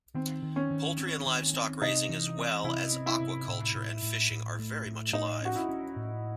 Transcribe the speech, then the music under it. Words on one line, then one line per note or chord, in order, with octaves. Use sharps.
Poultry and livestock raising as well as aquaculture and fishing are very much alive.
D#3 C4
D#3
C#4
D#3
C4
D#3
C4
C3 D#4
E3
C4
C3 E4
C4
E4
C3
A2
A2
A2
A2
A3
A2
A2 D#4
C#4 F#4
E4
C#4
A2